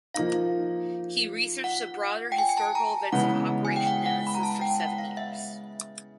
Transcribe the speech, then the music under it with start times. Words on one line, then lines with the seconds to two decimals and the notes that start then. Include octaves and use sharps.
He researched the broader historical events of Operation Nemesis for seven years.
0.14 F3 A#3 D#4 F5
1.64 F#5
2.32 G5
2.38 G#5
2.49 G#5
2.57 A5
2.75 A#5
3.12 C#3 E3 G#3 B3 F#5
3.65 G#5
3.76 G5
3.87 F#5
4.06 F#5
4.27 B5
4.35 A#5
4.43 A5
4.61 G5
4.80 F#5
4.98 F5
5.17 E5